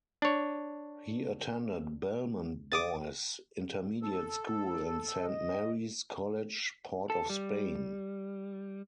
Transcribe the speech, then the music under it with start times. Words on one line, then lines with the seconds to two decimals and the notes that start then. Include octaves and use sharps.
He attended Belmont Boys Intermediate School and Saint Mary's College, Port of Spain.
0.22 D4 C#5
2.72 D6 D#6 A6
4.02 A4
5.22 D#5
7.10 A4
7.30 G3